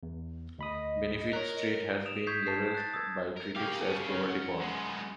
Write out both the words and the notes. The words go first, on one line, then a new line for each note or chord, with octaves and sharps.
Benefits Street has been labelled by critics as "Poverty Porn".
E2
D2 D#5 B5 D#6
A#4 C#5 F#6
D#6 D7 E7 F7
C#6 D#6 G6 G#6 B6 C7
A5 C7 E7
E7
F#6 A6
D#6 E6 G#6
A#4
A#3 G4 C#5 F5
F#4 A4
C#4
F#2 F#5
G#3 B3